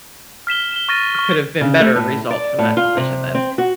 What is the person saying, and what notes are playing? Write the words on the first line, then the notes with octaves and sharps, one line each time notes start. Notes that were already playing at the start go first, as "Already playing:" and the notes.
could have been better result from that decision then?
F6 B6 E7 G7
E7 G7
C#6 F6 A6 A#6 D#7
C#6 F6
C#3
A3
A2
D5
A2
F4
C3
C4
F#4